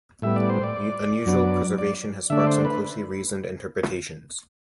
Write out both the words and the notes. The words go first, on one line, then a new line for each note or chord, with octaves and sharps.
Unusual preservation has sparked some closely reasoned interpretations.
A2 G3 B3 E5
D5
C5
D5
F#2 F#3 B3 D4
D5
D3 A3 D4 E5
D5
C5
B4